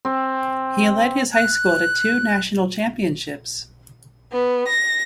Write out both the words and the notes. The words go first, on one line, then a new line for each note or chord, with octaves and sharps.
He led his high school to two National Championships.
C4
F#6
B3
A#6